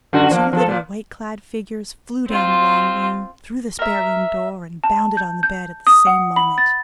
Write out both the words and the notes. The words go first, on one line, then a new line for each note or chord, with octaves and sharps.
The two little white-clad figures flew down the long room, through the spare-room door, and bounded on the bed at the same moment.
F#2 D3 F#4
F3 A#3
F3 A4
A#2 A#3
C4 F4
A#4 E5
A5
G6
G6
D#6
F#5
B5
A6